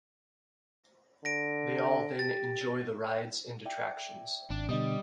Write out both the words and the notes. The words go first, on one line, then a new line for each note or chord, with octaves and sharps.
They all then enjoy the rides and attractions.
D3 A#6 D7
G4 A6
D5 E5 G5
G#1 D4
B2 D3 G3 D#5 D#6